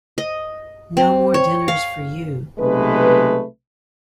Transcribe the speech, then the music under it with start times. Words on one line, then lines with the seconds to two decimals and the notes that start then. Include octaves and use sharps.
No more dinners for you.
0.18 D#5
0.97 C4
1.34 C#5
1.68 F5
2.58 B1 C3 G#3 A3 B4